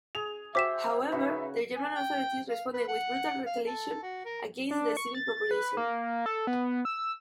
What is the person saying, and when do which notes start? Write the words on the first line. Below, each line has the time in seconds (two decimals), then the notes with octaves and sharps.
However, the German authorities responded with brutal retaliation against the civil population.
0.15 G#4 F7
0.55 F#4 C5 E5 G5 D6 B6 E7
1.12 C#3 D#4 F#4 B4 E5
1.76 G#5
1.95 G5
2.49 F5
2.73 B4
2.88 F#5
3.46 F5
3.67 A4
4.03 F#4
4.25 A#4
4.71 D4
4.97 C#6
5.15 A6
5.51 B4
5.77 A#3
6.26 A4
6.47 B3
6.85 E6